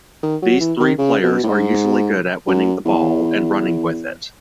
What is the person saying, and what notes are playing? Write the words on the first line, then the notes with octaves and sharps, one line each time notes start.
These three players are usually good at winning the ball and running with it.
D#3
F#3
E3
D#3
C#3
B2
A2
G#2
F#2
E2